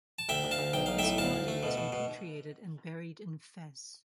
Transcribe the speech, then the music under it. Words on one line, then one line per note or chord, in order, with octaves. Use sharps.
His body was repatriated and buried in Fes.
A5
D2 E5 G5
D2
F5 A5
D2
B1 G5
B1 F5
A2 E5 G5
D2 F5 A5
D2
A3
B2
B2
B2